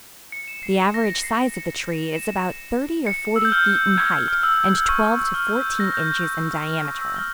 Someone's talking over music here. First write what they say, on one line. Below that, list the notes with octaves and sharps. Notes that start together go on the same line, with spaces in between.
The average size of the tree is about thirty or forty feet in height and twelve to fourteen inches in diameter.
C#7
E7
C7
A#6
A#6
C7
C#7
E7
C#7
E6
G6
F6
G6
G#6
F6
E6
E6
E6
C#6
E6
F6
G6
A#6
G6
F6
C#6
E6
F6